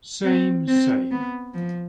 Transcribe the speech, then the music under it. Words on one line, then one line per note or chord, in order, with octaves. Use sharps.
Same same.
C4
C4
B3
F3